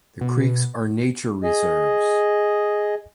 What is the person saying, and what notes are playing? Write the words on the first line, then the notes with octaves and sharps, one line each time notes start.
The creeks are nature reserves.
B2
G#4 D#5